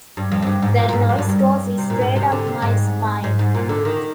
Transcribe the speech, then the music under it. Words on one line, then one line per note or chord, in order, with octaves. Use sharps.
That noise goes straight up my spine.
G2
F2
F2
G2
G#2
A#2
A#2
G#2
F2
G2
G2
G2
C3
A#2
G#2
C3
D3
C3
G#2
G#2
G#2
A#2
D3
D#3